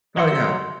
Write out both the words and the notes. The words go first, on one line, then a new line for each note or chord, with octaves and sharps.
Oh, yeah.
F#3 D#5 F#5 C6 E6